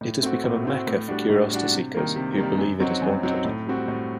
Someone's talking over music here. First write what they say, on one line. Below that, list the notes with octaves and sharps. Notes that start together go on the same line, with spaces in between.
It has become a mecca for curiosity seekers who believe it is haunted.
A2
A3 C4 F#4
A2
A3 C4 F#4
A2
G3 D4 F#4
A2
G3 D4 F#4
C3
D#3 G3 A#3
C3
D#3 G3 A#3
F#2
F#3 C4 D#4 F#4
F#2
F#3 C4 D#4 F#4
A2
G3 C4 F#4
A2